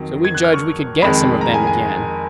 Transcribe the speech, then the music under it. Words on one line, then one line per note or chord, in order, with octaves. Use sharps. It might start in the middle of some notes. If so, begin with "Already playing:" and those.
So we judged we could get some of them again.
Already playing: F2 D#3 F#3
G#6
F#6
F6
C#6
F2 D#3 G#3 B5
A#5
G#5
G#5